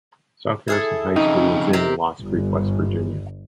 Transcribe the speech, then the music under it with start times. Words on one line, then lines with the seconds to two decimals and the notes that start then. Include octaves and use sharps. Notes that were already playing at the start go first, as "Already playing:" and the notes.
South Harrison High School is in Lost Creek, West Virginia.
0.68 E4 G#4 A4
1.16 F2 C#3 D#4
1.73 C3 G4 A#4
2.19 G1